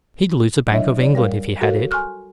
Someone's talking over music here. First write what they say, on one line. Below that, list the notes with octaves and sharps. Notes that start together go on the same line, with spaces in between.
He'd lose the Bank of England if he had it.
F#3 D4 E4 C#5 D#5 E5
E4 C#5 D5
G3 A#4 F5
F#4 A4 A#4 C#5 F5
G#5 C6 C#6 F6 F#6